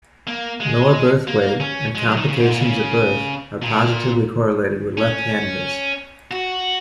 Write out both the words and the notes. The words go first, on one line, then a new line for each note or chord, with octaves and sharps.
Lower-birth-weight and complications at birth are positively correlated with left-handness.
A#3
G#3
A#3
C#4
G#3
F#3
D#3
C#3
G#2
A#2
C#3
A#2
C#4
F#4